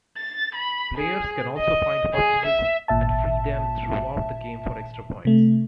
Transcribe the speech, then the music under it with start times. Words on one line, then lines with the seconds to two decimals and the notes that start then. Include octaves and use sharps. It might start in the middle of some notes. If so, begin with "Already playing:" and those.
Players can also find hostages and free them throughout the game for extra points.
0.16 A6
0.56 B5
0.97 G#4
1.57 D#5
2.14 G#4
2.48 E5
2.88 G#1 A#2 E5 A5
5.25 C3 A3